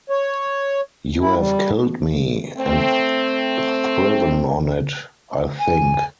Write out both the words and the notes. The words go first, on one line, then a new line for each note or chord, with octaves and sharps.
You have killed me — and thriven on it, I think.
C#5
E4
G3
A3 C4
G#5